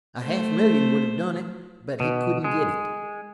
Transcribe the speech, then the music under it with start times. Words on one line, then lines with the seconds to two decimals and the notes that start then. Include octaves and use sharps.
A half million would have done it, but he couldn't get it.
0.22 A3 C5
2.00 B2
2.44 G#3